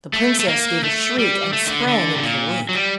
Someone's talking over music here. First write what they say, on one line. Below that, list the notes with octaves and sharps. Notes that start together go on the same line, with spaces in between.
The princess gave a shriek, and sprang into the lake.
A3
A3
A#3
A3
G3
A3
D#3
D3
D3
C3
A#2
F#3
G3